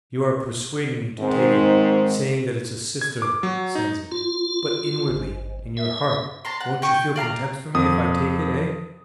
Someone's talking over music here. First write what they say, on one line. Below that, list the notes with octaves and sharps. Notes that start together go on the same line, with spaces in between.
"You are persuading me to take it, saying that it's a sister sends it, but inwardly, in your heart won't you feel contempt for me if I take it, eh?"
G#2 D#3 G#3 C4
G#6
D6
F#3
D#4
F4
G#1
E5
A5 A#5 C6
F#5
G5 G#5 C#6
D5 F5 A5 A#5
F2 D#6